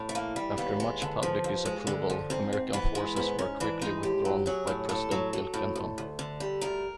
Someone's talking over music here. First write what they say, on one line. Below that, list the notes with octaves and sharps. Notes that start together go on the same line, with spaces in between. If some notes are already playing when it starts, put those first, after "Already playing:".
After much public disapproval, American forces were quickly withdrawn by President Bill Clinton.
Already playing: A2
A3
E3 A#3
G3
D#2 B3
G#3
D3
F3
D#2
G#3
D3
F3
G#2 C4
G#2
E3 B3
G#3
G#2 B3
G#2 C#4
E3 D4
G#3 D#4
A2 G4
F#3
F#3 G#4
A2
A2 A4
F#3
F#3
A2
D2
D2
D3
G3
D2 A#4